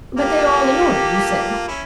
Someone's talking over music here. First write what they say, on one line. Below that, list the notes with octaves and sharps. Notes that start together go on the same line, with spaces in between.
"But they are all in order, you say?"
A#3 F4 G4 A4
C#4 E4